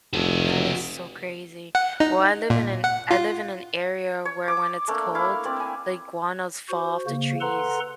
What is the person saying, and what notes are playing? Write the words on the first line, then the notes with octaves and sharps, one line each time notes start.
That is so crazy. Well, I live in an I live in an area where when it's cold, the iguanas fall off the trees.
F1 F#4 A4
F#5
D#4
A#2
F#5
F4
C#5
D6
A3 A#3 D4
E4 F5
C4 D5
G#5
F#4 C5
C#3 A#3
A4 B4 F#5 A#5 C6